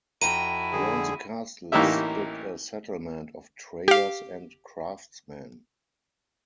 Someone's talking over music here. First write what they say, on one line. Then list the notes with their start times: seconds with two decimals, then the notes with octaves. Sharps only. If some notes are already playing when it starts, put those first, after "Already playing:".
Around the castle stood a settlement of traders and craftsmen.
0.21 F2 E4 F#4 G5 A#5 D#7
0.73 D3 G#4
1.72 A1 A#3 D#4 E4 G4 E5
3.88 G4 F5